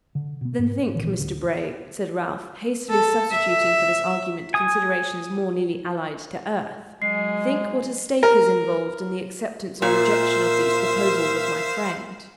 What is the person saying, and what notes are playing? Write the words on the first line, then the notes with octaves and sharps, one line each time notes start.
'Then think, Mr Bray,' said Ralph, hastily substituting for this argument considerations more nearly allied to earth, 'think what a stake is involved in the acceptance or rejection of these proposals of my friend.'
D3
B2 B3
G#2 B3
B1 A#2 D#3 E3
A1 D2 D3
A4
E5
G#5 D#6
F#3 G#3 G#4 C7
A#4
A#2 A#4 C5 E5 F5